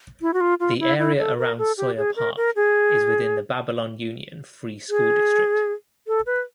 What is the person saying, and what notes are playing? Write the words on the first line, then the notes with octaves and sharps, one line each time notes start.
The area around Sawyer Park is within the Babylon Union Free School District.
E4
F#4
F4
F4
E4
E4
A4
A#4
A4
G4
G#4
A#4
A#4
G#4
G#4
A4
B4